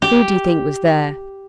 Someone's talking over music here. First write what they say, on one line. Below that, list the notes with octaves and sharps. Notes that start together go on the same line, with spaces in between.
"Who do you think was there?"
G4